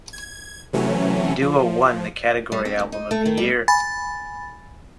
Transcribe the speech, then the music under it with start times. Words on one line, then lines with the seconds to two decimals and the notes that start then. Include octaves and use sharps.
The duo won the category Album of the Year.
0.13 G#6
0.73 C3 E3 F#3 A3 C#4
1.42 F3
2.52 G3
2.65 C4
2.79 D2
2.92 D#4
3.11 A3
3.26 D#3
3.37 G3
3.68 G#5 B5 A6